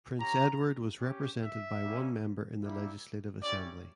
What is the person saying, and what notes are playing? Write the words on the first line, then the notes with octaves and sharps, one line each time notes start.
Prince Edward was represented by one member in the Legislative Assembly.
C#4 G4 A#5
C#4 G4
E5
G3 A#3 C#4
G3 A#3 E4
C#4 E4 G4 D5